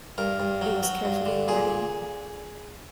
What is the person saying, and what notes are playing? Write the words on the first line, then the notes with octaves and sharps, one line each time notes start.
It was carefully worded.
G2 A#4
G2
F#3
F#3
G2
D3
A#2 G#4